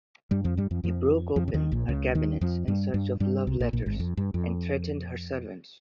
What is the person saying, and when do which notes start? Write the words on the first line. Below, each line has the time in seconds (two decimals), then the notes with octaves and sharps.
He broke open her cabinets in search of love letters and threatened her servants.
0.31 G2 G3
0.44 F2 F3
0.57 G2 G3
0.71 F2 F3
0.84 F2 F3
1.36 F2 F3
1.48 C#3
1.54 D#2 D#3
1.72 A#1 A#2
1.88 C#2 C#3
2.15 D#2 D#3
2.41 F2 F3
2.68 G2 G3
2.94 G2 G3
3.20 G2 G3
3.47 C2 C3
3.60 A#1 A#2
3.73 A#1 A#2
3.86 G#1 G#2
4.00 F2
4.17 G2
4.34 F2